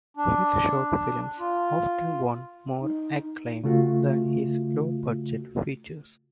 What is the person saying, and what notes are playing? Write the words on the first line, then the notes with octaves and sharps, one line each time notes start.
His short films often won more acclaim than his low-budget features.
D4
F4
D#4
C#3 A3 F4 F#4